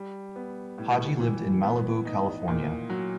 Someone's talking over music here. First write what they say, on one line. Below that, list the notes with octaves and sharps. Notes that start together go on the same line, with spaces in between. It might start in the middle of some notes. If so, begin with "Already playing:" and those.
Haji lived in Malibu, California.
Already playing: G3
B3
A2
E3
B3
D#4
A#2
F#3